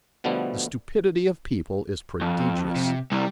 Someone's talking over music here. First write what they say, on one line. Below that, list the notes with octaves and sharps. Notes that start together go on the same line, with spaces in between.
The stupidity of people is prodigious.
B2 D3 F3 G3 A3 B3
F2
C3
C2 G3